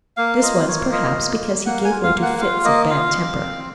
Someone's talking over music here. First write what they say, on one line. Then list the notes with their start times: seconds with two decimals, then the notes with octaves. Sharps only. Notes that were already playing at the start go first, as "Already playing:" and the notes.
This was, perhaps, because he gave way to fits of bad temper.
0.17 A#3 F5
0.42 F4 D#5
0.67 A#3 C#5
0.92 F4 D#5
1.17 A#3
1.41 A#3
1.66 A#3 F#5
1.85 G#5
1.91 F4
2.03 F5
2.16 A#3
2.22 F#5
2.40 F4 F5
2.65 A#3 D#5
2.90 F4 F5
3.15 C4
3.40 C4